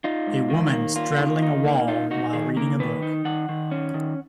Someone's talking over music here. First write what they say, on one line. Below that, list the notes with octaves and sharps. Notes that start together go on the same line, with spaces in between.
A woman straddling a wall, while reading a book.
D#4 F4
G#2
D#3
A#3
A#3 F4
D#3
D#4
A#3
D#4 F4
D#4 F#4
D#3 G#4
A#3 A#4
D#3 B4
D#4
D#3 F#5
D#3
C#4
D#3